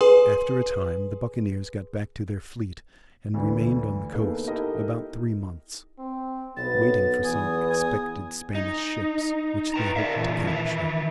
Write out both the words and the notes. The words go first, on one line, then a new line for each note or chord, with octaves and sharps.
After a time the buccaneers got back to their fleet and remained on the coast about three months, waiting for some expected Spanish ships, which they hoped to capture.
G#4 B4 G#5 C6 D#6
D2 D3 E3
A#3 B3 D#4 G#4 A4
D#4 E4 G4 A4 A#4 D#5
C4
B1 B3 A6
E2 G#5 D#6
G#5
D#4
E4 B4 G5 A#5
A#4 D5 E5 F5
A#2 E3 A3 F4
D#3 E3 E5